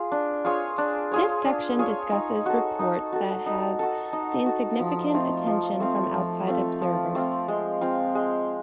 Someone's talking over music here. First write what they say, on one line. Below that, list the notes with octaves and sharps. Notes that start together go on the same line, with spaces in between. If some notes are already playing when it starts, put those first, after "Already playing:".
This section discusses reports that have seen significant attention from outside observers.
Already playing: F4 G#4
D4
F4 G#4 C#5
D4
F4 G#4 C#5
D4
F4 G#4 C#5
D#4
F#4 A4
D#4
F#4 A4
D#4
F#4 A4
D#4
F#4 A4
F3
A3 C4 F4
F3
A3 C4 F4
F3
A3 C4 F4
F3
A3 C4 F4
G#3
C4 F4
G#3